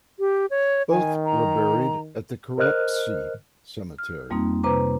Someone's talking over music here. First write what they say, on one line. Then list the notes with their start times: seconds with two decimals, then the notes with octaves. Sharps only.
Both were buried at the Kerepesi Cemetery.
0.19 G4
0.50 C#5
0.90 D#3 G#5
1.25 A#5
2.58 A#4 C5 D#5 F6 F#6
3.99 F6
4.30 F2 G3 A#3 C4 D#4
4.64 C3 B4 C5 A#5 D6